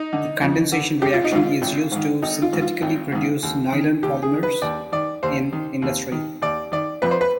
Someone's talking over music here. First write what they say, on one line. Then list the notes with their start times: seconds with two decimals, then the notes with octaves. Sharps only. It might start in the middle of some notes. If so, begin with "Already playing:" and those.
The condensation reaction is used to synthetically produce nylon polymers in industry.
Already playing: D#4
0.13 D3
0.42 F2
0.72 D3
1.02 G#1 G4
1.14 F4
1.24 D#4
1.32 G#2 D#3 F4
1.62 G#1
1.92 G#2 D#3
2.22 G#1 D#4
2.42 F4
2.53 G#2 D#3
2.62 F4
2.82 G#1
3.12 G#2 D#3
3.43 D#2
3.72 D#3
4.03 D#2 G4
4.23 G#4
4.33 D#3
4.43 B4
4.62 D#2 D5
4.92 D#3 D5
5.23 D#2 C5
5.53 D#3
5.82 D#2
6.12 D#3
6.42 D#2 D5
6.72 D#3 D5
7.02 F2 B4
7.11 C5
7.21 B4